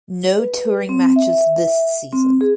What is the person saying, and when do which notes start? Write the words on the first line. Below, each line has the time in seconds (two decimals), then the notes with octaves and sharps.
No touring matches this season.
0.39 B4
0.89 C4
1.16 E5
2.12 C4
2.41 G#4